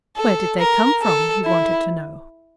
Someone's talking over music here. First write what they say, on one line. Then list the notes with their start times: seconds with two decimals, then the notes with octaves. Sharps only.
"Where did they come from?" he wanted to know.
0.16 A4
0.59 A#4
1.02 A4
1.45 E4